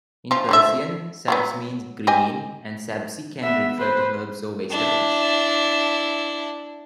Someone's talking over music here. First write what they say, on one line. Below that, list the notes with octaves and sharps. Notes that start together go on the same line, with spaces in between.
In Persian, sabz means green, and sabzi can refer to herbs or vegetables.
F3 F4
D3 F3 E5
F#3 G#3 B3
G4 D#5 G#5
B3 E5
B4 C5
D4 E4